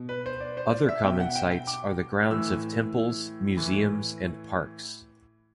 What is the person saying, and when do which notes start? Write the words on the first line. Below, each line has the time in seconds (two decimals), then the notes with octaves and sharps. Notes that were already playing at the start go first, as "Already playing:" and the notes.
Other common sites are the grounds of temples, museums, and parks.
Already playing: B2
0.09 B4
0.26 C5
0.40 D5
0.57 C5
0.73 D5
0.89 E5
1.03 B2 G5
1.20 F#5
1.36 G5
1.52 G5
1.67 D6
2.31 A2 E3 E6
3.57 A2 E3